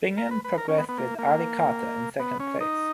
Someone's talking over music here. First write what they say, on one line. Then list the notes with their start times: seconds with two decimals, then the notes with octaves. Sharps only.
Bingham progressed with Ali Carter in second place.
0.18 A#4
0.31 B4
0.44 B4
0.58 A#4
0.68 C#4
0.78 B3
0.89 B3
0.98 A#3
1.19 A#3
2.19 B3
2.40 C#4
2.60 D#4